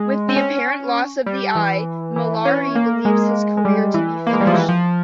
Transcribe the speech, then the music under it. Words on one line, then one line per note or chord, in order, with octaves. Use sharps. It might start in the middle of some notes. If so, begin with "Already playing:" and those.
With the apparent loss of the Eye, Mollari believes his career to be finished.
Already playing: G#3
C4
C#4
G3
E3
E3
C#4
A#3
G#3
G#3
G3
E3
A#3
G#3
G3
F3
E3
F3